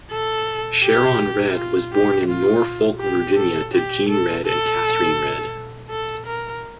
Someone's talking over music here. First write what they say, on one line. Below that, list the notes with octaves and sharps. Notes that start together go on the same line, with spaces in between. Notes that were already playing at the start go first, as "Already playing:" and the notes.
Sharon Redd was born in Norfolk, Virginia to Gene Redd and Katherine Redd.
A4
G4
F4
G4
F4
G4
A4
G4
A4
A4
A4
A#4